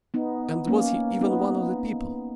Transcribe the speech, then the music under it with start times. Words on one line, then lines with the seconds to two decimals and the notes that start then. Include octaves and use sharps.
And was he even one of the people?
0.14 B3 D#4
0.67 A#3 C#4
1.21 B3 D#4